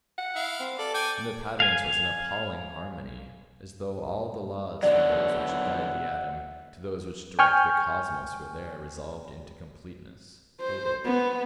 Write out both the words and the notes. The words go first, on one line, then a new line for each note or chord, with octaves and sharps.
In the patterns was an appalling harmony--as though all the laws from those which guide the atom to those which direct the cosmos were there resolved into completeness--totalled.
F#5
E4 F5
C4
A4 D5
G5 G#5 D6
F5 G#5
B2 D3 F#3 D5 E5 F#5
G5 G#5 C#6 F6 G6
C5
B3